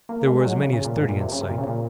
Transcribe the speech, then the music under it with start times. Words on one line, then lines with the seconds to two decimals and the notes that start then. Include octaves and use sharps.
There were as many as thirty in sight.
0.09 A#3
0.27 G#3
0.40 G#3
0.44 F#3
0.62 C#3
0.73 C#3
0.84 A#2
0.96 G#2
1.09 A#2
1.20 C3
1.32 C#3
1.41 C3
1.50 A#2
1.58 C#3
1.66 A#2